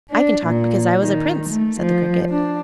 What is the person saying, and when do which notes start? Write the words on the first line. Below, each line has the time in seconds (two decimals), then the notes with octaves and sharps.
'I can talk because I was a Prince,' said the Cricket.
0.11 D4
0.46 A#2
1.01 D#3
1.49 A3
1.81 F3
2.30 D4